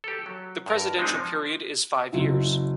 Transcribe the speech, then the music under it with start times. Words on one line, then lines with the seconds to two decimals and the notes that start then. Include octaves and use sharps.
The presidential period is five years.
0.04 G4 A4
0.26 F#3
0.66 G2 A#4
0.99 G#3 C4 D4 D#4
1.14 F3
2.12 F#1 F#3 E4